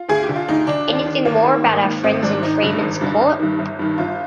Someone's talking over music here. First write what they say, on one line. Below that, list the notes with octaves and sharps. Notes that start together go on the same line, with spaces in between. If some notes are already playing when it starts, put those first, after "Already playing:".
Anything more about our friends in Freeman’s Court?
Already playing: F4
D2 G#4
G4
D3
F4
D2 D#4
D3 D4
D#2
D#3
D#2 A#3
D#3
G#1
G#2 D#3
G#1 C4
G#2 D#3 D4
G#1 D#4
G2 D3
G#1
G2 D3
G1
G2 D#3
G1
G2 D#3
G1 F4